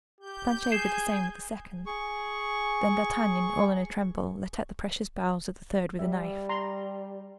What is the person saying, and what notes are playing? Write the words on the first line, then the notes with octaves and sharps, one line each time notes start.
Planchet did the same with the second; then D'Artagnan, all in a tremble, let out the precious bowels of the third with a knife.
G4 G6
G#4 G#5 C7 E7
G#4 C#6
G3 E5
A#5 C6